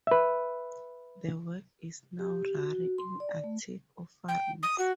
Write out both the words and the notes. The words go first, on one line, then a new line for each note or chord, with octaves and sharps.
The work is now rare in antique offerings.
B4 E5
G4
F#4
C6
D5
A3
G5
D#6
F#4